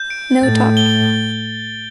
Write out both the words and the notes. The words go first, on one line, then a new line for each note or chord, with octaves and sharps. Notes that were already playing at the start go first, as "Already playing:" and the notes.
No talk.
Already playing: G6
D7
A2 A6
G7
G7